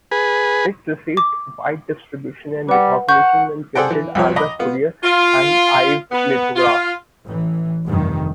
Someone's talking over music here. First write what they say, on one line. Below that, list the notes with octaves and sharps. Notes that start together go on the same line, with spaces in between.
It received wide distribution and recognition when printed as a Currier and Ives lithograph.
G#4 B4
D6
G3 B4 F#5
F#5 C#6 G6
G#4 A4 C5 D5 F#5 G5
E3
C2 F2 F3 C#5
D#5 A#5 B5 D6
B3 F4
F4
B3
F4
A1 E3
F1 G2 D#3